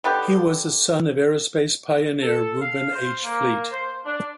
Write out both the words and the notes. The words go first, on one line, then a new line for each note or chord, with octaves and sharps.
He was a son of aerospace pioneer Reuben H. Fleet.
D3 G3 B3 G4
A4
F5
C5
A#3
C5
D4